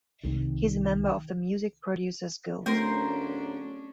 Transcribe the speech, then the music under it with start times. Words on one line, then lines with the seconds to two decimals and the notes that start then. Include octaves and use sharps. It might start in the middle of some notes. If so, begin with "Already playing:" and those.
He is a member of the Music Producers Guild.
0.24 C2 D#3
2.66 D1 A3 C#4 D4 A#4 C5 C6